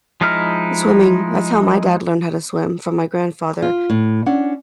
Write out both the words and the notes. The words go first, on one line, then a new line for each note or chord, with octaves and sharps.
the swimming, that's how my dad learned how to swim from my grandfather,
F3 G#3 D#4 E4 F6
F4
A2
C#4 D4 F#5